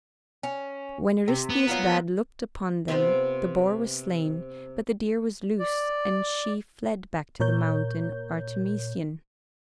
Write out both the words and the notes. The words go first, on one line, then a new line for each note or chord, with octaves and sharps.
When Eurystheus bad looked upon them the boar was slain, but the deer was loosed and she fled back to the Mountain Artemision.
C#4
C3
B3
F#3 F4 A#4
C3 B3 F4 C5
D5
A#2 A#4 C#5 G6